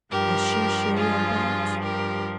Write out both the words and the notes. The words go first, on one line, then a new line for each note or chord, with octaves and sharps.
"Does she share your doubts?"
G2 F3 G4 A#4
F4 G#4
G4 A#4